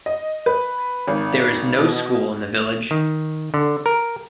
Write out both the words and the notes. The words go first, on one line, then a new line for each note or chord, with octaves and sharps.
There is no school in the village.
D#5
B4
G#1
B2
D#3
D3
A#4